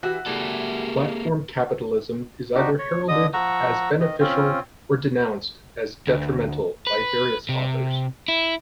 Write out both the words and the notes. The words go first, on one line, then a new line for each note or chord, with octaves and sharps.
Platform capitalism is either heralded as beneficial or denounced as detrimental by various authors.
E3 F#4 G4 E5
C#3 G3 A#3 E4 A4
D4 D#4 F#4 G4
C#5
D3 D#5 D#6
F3 F#5 A#5 C#6 E6
D#3 D#5
C4 C#4 F4
D2
B4
C3
E4